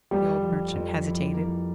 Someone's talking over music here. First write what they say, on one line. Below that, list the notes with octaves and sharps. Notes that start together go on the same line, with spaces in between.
The old merchant hesitated.
F2 G3
F3
F2
E4
A#3